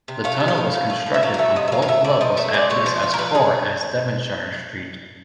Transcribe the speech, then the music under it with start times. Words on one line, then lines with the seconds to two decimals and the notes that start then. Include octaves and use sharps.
The tunnel was constructed on both levels at least as far as Devonshire Street.
0.08 C3
0.24 A3 F5
0.40 C3
0.48 F5
0.58 A2
0.74 A2
0.90 A2
1.06 A2
1.14 E5
1.23 F#3 F5
1.34 F5
1.38 A3 E5
1.56 C3 D#5
1.68 E5
1.72 F#3 F5
1.82 F5
1.88 A3 E5
2.04 D3 D5
2.21 F3 D#5
2.37 A3 E5
2.53 G#3 D5
2.70 D3 C#5
2.86 F3 C5
3.03 F3
3.14 A#4
3.18 D3 B4
3.35 A3 G#4